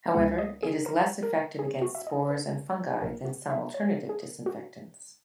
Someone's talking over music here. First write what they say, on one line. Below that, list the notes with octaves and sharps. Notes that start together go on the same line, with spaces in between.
However, it is less effective against spores and fungi than some alternative disinfectants.
C#2 B2 G#3 F#5
D#5
G#4
A#4
A#4
G#4
F#4
E5
D#5
B4
A#1 A#2 A#3 A#4
F#4
E5
C#5
G#4
F#4